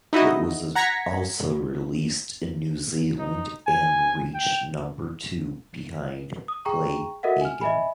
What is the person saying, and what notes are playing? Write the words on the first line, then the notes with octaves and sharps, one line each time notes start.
It was also released in New Zealand and reached number two behind Clay Aiken.
D#4 E4 F#4 D#5
F#5 A#5 G#6 A#6 B6 C#7
D#4
G#5
G5
D#6
G#4 G5 A#5 C#6
F#4 A4 A#4 D#5 E5 F#5
G#5 F6
D#5 E5 G#5 B5